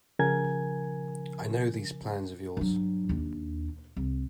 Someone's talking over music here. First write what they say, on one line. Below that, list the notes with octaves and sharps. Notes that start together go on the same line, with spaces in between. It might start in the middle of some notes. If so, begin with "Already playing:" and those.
I know these plans of yours.
C#3 F3 A#4 G#5 G#6
G2 F#3
D#2 D4
C2